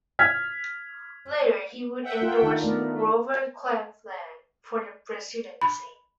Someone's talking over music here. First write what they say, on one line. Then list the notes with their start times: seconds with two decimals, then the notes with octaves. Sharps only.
Later he would endorse Grover Cleveland for the presidency.
0.19 F6 G#6 B6
2.03 E5 F#5 G5
2.21 F4 A#4
2.42 D#3 D4 D#4
2.62 A3 B3 A#4 D5
2.94 A3
5.62 B5